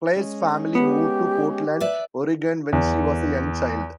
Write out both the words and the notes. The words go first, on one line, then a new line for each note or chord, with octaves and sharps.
Claire's family moved to Portland Oregon when she was a young child.
G#3 C#4
B3 G4
B4 D5 E5
E2